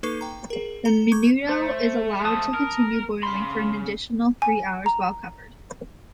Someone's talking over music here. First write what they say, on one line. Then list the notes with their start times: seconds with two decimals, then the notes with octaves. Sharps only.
The menudo is allowed to continue boiling for an additional three hours while covered.
0.03 A#3 D#4 A4 B4 C#6 C7
0.21 G5 A#5
0.50 G#4 A#4
0.85 A4 A#5
1.12 C#6 D6 G6 G#6
1.49 A3 C5
2.25 F3 A3 A5 D#6
2.54 A#4
3.23 C#3 B5 C6
4.42 G#5
4.86 A#5